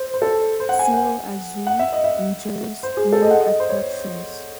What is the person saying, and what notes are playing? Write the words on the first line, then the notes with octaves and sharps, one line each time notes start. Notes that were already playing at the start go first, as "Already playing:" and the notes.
Cerro Azul enjoys many attractions.
Already playing: C5
C5
A4
C5
F#5
G#5
F#5
F#5
E5
D#5
E5
C5
G#4
A4
D#5
F#5
D#5
C5
C#5